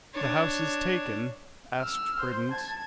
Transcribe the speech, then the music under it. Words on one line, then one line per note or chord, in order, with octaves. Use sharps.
"The house is taken?" asked Prudence.
D4 C#5
E6 F6
C5
A5 G#6